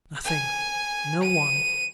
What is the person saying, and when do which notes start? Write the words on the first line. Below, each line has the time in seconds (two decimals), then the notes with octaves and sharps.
Nothing--no one!
0.25 G#5
1.23 D#7